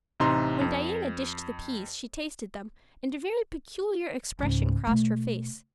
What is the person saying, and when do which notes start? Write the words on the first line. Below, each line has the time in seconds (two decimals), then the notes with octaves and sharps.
When Diana dished the peas she tasted them and a very peculiar expression crossed her face.
0.20 A1 C3 D#4 A#5 C6
0.61 F2
4.39 C#2 G#2
4.87 B2 A3